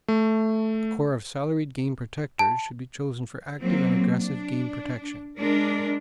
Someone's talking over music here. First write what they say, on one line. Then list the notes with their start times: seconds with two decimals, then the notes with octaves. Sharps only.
A corps of salaried game protectors should be chosen for active and aggressive game protection.
0.08 A3
2.39 A5
3.62 F#3 A#3 C4
4.19 D4
5.39 G#3 D4 A#4